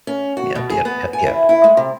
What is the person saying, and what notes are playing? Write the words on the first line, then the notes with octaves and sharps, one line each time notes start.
Yep, yep, yep, yep.
C#4
F#4
B2
G#4
B3
G#5
E4
E4
G#3
C3